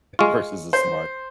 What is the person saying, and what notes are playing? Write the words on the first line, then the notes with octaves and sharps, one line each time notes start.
Versus the smart
G#3 F4 C#6
C5